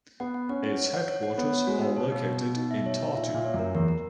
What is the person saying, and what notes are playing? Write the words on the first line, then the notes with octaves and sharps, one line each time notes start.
Its headquarters are located in Tartu.
B3 F#5
F#5
C#4 F#5
C#5
C#5
F#5
C#5
F#5
B3 C#5
C#5
G#3 F#4
B3
B2 C#5
B3
F#4
B3
D#4
E5
C#5
D#4
A#2 E5
A#2 E5
C#5
F#2
A#4
E2 A#4
A#4